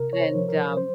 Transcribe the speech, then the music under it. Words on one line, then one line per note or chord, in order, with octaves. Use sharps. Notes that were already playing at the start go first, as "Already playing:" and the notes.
and um
Already playing: C3 A#4
C#5
C5
F3
A#4
F#3 C5